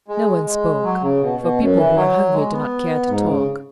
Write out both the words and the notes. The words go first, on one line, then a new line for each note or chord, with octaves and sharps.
No one spoke, for people who are hungry do not care to talk.
G#3
G#3
F#3
C#3
B2
B2
F#2
E3
F#3
G#3
B3
G#2
C#3